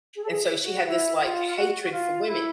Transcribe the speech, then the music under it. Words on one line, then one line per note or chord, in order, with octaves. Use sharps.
and so she had this, like, hatred for women,
G#4
A4
G#4
F#4
E4
F4
F#4
F#4
F4
E4